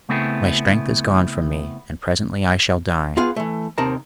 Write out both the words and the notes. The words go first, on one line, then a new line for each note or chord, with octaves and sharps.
My strength is gone from me, and presently I shall die.
C#3 A3 B3 C4 E4 A4
B3 F4 G#4 F5
E3 A3
D#2 C3 D#4 A#4 A5 A#5